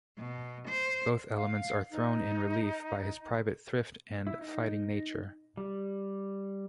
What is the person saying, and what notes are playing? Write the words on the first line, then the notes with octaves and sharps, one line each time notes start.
Both elements are thrown in relief by his private thrift and fighting nature.
B2
C5
F5
D#4
E4
D#4
G3